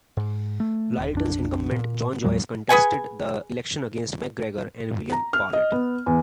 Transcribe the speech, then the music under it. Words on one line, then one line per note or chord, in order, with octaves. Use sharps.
Lyttelton's incumbent, John Joyce contested the election against McGregor and William Barnett.
G#2
A3
D#1
A#1 F2 D4
A#2
D#2 A2 F#3 G#3
G#4 B4 F#5 G#5
A#5
F6
D#5
B3
E2